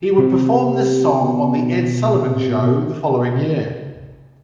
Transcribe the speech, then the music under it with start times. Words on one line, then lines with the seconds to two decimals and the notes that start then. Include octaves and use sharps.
He would perform this song on The Ed Sullivan Show the following year.
0.18 C3
1.20 B2
2.14 B2
2.23 C3
2.36 C3
2.49 B2
2.62 B2